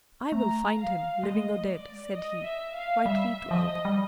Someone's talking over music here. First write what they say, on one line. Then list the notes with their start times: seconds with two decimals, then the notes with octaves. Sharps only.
"I will find him, living or dead," said he quietly to Aouda.
0.32 A3 A#5
0.78 F5
1.23 G#3 D#5
1.34 A3
1.43 G#3
1.69 D5
2.15 D#5
2.44 E5
2.75 F5
3.05 G3 E5
3.51 F3 D#5
3.85 G3